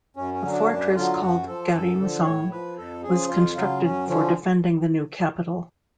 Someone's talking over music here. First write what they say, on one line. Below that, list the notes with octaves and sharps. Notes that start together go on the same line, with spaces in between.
A fortress called Garimseong was constructed for defending the new capital.
F#2 C#4
C#4
D3 F#3
D4
F#2 D4
D3 F#3 F4
F#2 F#4
F3 A4
F#2
D3 F3
A2 C#5
F3 B4
F2 A4
C#3 F3 G#4
F2 F4
C#3 F#3 F4
F#2 C#4
D3 F3 C#4